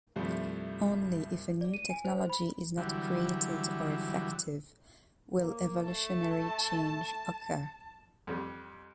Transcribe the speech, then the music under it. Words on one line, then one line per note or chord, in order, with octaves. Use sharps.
Only if a new technology is not created or effective will evolutionary change occur.
C2 G2 F3 G3 A3
D5
D#7
G#5
C5
C5
B5
D3 E3 F#3 G3
A#3
A3 A5
F2 G3